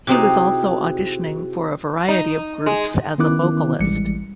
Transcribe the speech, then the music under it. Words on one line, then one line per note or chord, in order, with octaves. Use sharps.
He was also auditioning for a variety of groups as a vocalist.
C3 C4 D#4 E4 F#4 G#4
D#4
G#3
D#3 B3 C#4 E4 D6 F#6
A1 E3 G3 G#3 C#7